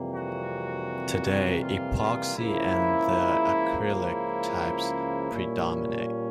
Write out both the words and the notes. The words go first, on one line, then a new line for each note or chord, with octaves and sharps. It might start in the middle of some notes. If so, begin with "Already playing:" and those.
Today, epoxy and the acrylic types predominate.
Already playing: F2 C3 E3 G3 A#3
F#4
F4
F4
C#2 C#3 F3 A#3 E4
E4
A#2 G3 A#3 C#4